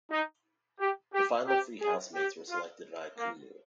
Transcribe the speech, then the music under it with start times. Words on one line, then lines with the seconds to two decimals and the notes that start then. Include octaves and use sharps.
The final three housemates were selected via Kumu.
0.11 D#4
0.79 G4
1.14 G4
1.47 G4
1.82 G#4
2.15 G4
2.50 F4
3.18 A#3